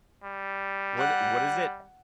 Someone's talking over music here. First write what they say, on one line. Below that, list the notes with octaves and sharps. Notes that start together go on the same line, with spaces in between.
Was it what is it?
G3
F#5